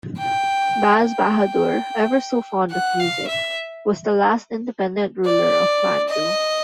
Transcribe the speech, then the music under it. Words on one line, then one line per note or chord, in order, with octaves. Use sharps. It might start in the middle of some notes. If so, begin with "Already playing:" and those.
Baz Bahadur, ever so fond of music, was the last independent ruler of Mandu.
G5
G5
F#5
F5
E5
D5
D#5